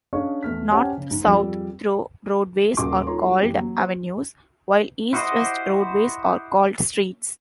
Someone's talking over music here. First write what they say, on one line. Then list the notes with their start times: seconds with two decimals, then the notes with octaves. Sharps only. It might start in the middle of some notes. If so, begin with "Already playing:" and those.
North-south through roadways are called "avenues", while east-west roadways are called "streets".
0.13 C#4 D4 G#4 D#5 F5 C#6
0.43 E2 A3 F6 B6
0.71 C#4 G4 C5 F#5 G#5 A5
0.97 C#3
1.11 G#2
1.27 F2 G3 G#4 D5 E6
2.77 D#1 C#3 F#4 D#5 C6 D6
3.06 D#4 F4 A4 C#5 A#5 C6
3.23 G3
3.41 F#1 E3 C4 G4
3.56 F#3 A#3
3.79 C5
5.13 E4 F#4 G4 C5 D#5